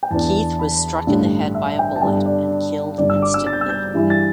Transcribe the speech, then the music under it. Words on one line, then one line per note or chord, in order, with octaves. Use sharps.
Keith was struck in the head by a bullet and killed instantly.
G5
E2 E3 B3 D4 A5
B5
A1 G2 D3
E5
G5
A5
G2 D3 B3 D4 G5
D5
G1 G2 D3 D5
E6
D6
E6
A6
G6
E6
G6
G2 E3 G3 E4
A6